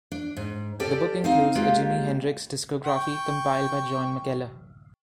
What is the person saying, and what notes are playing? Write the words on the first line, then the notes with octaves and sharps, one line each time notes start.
The book includes "A Jimi Hendrix Discography", compiled by John McKellar.
D4
G#2
C#4 G4 A4 D5 G5
C4 D#4 F5
G#3 A#3 F4 G4
G5 C#6